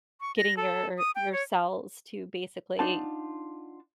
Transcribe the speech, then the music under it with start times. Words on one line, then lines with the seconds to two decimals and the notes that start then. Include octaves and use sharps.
getting your your cells to basically
0.21 C#6
0.37 A#6
0.57 A4
0.98 D#6
1.15 G5
1.32 C#5
2.79 D4 D#4 F4 F#5 A5